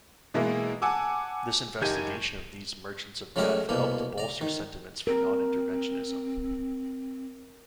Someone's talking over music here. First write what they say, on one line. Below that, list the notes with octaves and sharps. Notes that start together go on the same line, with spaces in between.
This investigation of these "merchants of death" helped to bolster sentiments for non-interventionism.
B2 E3 G#3 A#3 B3 E4
F#5 G#5 A5 D6 E6
F#1 D#4 G4 G6 G#6 D#7
C#3 F#3 G#3 A3 G4 A#4
C2 B2 A#3
D5 A#5
D#3
C4 A#4